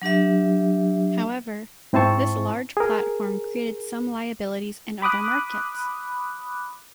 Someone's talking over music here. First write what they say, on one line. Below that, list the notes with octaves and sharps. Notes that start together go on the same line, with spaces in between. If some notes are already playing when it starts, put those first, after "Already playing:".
However this large platform created some liabilities in other markets.
F#3 D4 G4 E5
G#2 C4 E4 C5 A5 C#6
G#4 A#4
B5 D6 D#6 F#6